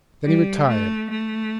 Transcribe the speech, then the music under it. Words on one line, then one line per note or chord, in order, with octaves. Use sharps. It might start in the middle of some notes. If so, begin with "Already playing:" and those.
Then he retired.
G3
A3
A3